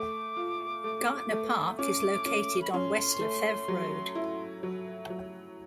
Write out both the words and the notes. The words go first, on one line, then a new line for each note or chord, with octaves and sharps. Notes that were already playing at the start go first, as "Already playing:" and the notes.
Gartner Park is located on West LeFevre Road.
Already playing: A3 D6
F4
A3
A3
C#4 D6
C#4
B5
C#4 C6
A3
F#3
E4
F#3
F#3